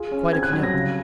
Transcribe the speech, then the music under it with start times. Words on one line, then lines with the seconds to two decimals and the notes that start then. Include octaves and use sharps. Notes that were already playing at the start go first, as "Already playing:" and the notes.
"Quite a canoe."
Already playing: F4 G#4
0.12 C#4
0.32 C4 G#6
0.43 F#6
0.53 F#3 G#6
0.63 A#6
0.73 C#3